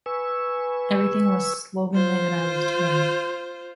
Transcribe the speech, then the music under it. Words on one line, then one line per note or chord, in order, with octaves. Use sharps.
Everything was slovenly that I was doing.
B4 G#5 C#6 E6
F4 C5